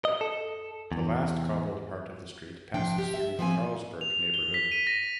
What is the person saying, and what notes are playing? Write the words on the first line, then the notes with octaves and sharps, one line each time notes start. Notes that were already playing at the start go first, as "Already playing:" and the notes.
The last cobbled part of the street passes through the Carlsberg neighbourhood.
D#5
A4
E2
C3 F3 D4 G5
G4
E5
F3 C4 F5 G#5
F7
G7
B6
D#7
A#6